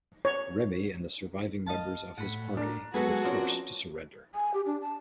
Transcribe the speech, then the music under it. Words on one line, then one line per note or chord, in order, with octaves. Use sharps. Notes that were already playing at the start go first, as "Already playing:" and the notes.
Remey and the surviving members of his party were forced to surrender.
C#5
D#5 F5 A5
A2 F#5 B5
D4 A#4
F#3 G#3 B3 F#4 G#4 A4 B4 A#5
F3 C4 C#4 A#4 D5
G#5
G4
D4
A5